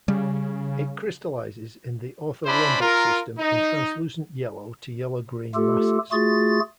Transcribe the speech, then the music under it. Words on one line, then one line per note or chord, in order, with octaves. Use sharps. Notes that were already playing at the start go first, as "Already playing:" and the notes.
It crystallizes in the orthorhombic system in translucent yellow to yellow green masses.
C#3 G3
C#4 D4 E4 C5 D5 B5
F4 A#4
D#4
A3 F4 G4 A4
A3 F4 F#4 G#4 A6